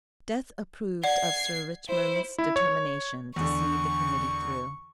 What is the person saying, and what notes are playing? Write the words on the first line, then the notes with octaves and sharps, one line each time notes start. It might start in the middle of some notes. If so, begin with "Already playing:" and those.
Death approved of Sir Richmond's determination to see the Committee through.
D5 F#5 G#6 C7
E4 C5
E4
C#5
E2 D3 C#6